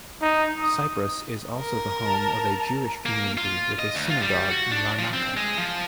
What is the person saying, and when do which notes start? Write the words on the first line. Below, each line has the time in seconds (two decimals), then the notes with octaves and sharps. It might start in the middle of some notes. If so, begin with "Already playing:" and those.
Cyprus is also the home of a Jewish community with a Synagogue in Larnaca.
0.21 D#4
0.61 D#6
1.59 A#4
2.03 A5 A#5
3.06 A#3
3.37 F4
3.79 D#5
3.95 D2
4.10 F4
4.22 G3
4.50 F#4
4.71 D4
4.99 F3
5.13 C4
5.37 G#3
5.58 F3